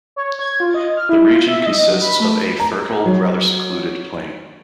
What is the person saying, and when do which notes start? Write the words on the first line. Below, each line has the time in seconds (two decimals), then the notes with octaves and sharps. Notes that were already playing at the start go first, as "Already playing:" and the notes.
The region consists of a fertile, rather secluded, plain.
0.16 C#5
0.39 G#6
0.60 F4
0.74 D#5
0.97 F6
1.09 E4
1.32 F4
1.48 E5
1.66 D#5
1.88 F#3
2.02 B5
2.20 A3
2.60 A#5
3.06 F#3